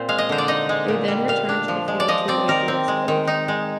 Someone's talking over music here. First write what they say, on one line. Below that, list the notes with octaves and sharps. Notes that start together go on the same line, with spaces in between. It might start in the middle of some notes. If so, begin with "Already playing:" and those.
They then returned to the field to await the next coach.
Already playing: A#2 C4 C5
G#3 F5
D#5
D3 C5
D5
D#4 D#5
G#3
A#2
G3
A#2 F5
D4
F3
G#3
D5
F3 D#5
C4 D5
D#3 A#4
C4
G#3
D#3
D#4
G#3